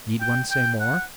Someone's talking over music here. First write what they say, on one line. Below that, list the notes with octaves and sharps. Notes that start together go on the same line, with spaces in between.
Need one say more?
G5
G5
F#5